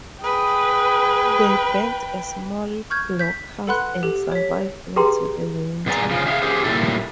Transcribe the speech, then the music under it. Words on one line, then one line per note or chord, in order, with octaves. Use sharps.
They built a small blockhouse and survived into the winter.
G#4 B4 G5
C#6 F6 G6 G#6
G6 B6
A4 B4 F#5 B5 C6 F#6
G4 A4
C#5 B6
G4 G#4 B4 G5 A#5 C6
B2 G3 G#4 D5 G#5 A#5
C#3 F3
G#4 E5 F5
C#4 G4 G#4 C5
A#2 C#3 G3 A3 E4 A4